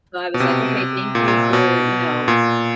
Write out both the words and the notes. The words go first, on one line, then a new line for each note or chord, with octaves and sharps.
So, I was, like, okay, thank you for, you know?
B2
C3
A#2
A#2
B2
A#2